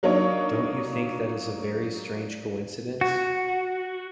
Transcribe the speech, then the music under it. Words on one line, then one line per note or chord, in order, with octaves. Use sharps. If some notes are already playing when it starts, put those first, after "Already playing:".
Don’t you think that is a very strange coincidence?
F#3 A#3 D4 D#4 C#5
F#4